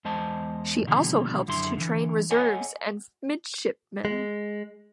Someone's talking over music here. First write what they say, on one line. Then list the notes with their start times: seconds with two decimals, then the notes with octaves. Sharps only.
She also helped to train reserves and midshipmen.
0.05 E2 G#3 C5 D#5 A5
0.87 B2 D3 D#3 F3 G3 A#3
1.48 F#2 D3 E4 C6
1.77 D3 E3
2.31 A4 C#5 D#5 F#5 G#5
4.05 G#3